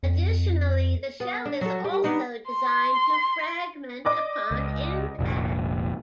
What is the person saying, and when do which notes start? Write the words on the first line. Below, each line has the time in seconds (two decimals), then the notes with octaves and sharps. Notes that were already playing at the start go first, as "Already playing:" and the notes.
Additionally, the shell is also designed to fragment upon impact.
0.03 F2
1.20 B3
1.45 D4
1.61 F#3 A4
1.84 G4
2.04 B3 D4 D#4
2.50 C6
4.05 D5 D#5 D6
4.51 C#2
5.19 F1 A#1